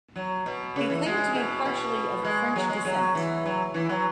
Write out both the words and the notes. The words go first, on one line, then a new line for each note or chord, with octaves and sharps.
He claimed to be partially of French descent.
F#3
B2
C#3
E3
G#3
B2
B2
G#3
F#3
G#3
F#3
E3
F#3
E3
F#3